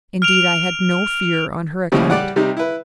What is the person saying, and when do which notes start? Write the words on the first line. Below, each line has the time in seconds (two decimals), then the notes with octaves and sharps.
Indeed I had no fear on her account.
0.22 F6 D7 F7
1.92 D#2 A2 C#3 F3 G3
2.10 G3 G4 D5 F#5
2.36 C3 G3 D#4
2.57 E4 B4